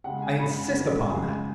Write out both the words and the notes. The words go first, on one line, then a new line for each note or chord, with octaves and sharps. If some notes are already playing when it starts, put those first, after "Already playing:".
I insist upon that.
C#3 G#3 F#5
G#5
C#3 G#3 B5
C#3 G#3
C#3 G#3 G#5